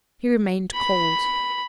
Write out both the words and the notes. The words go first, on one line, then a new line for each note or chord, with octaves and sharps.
He remained cold.
B5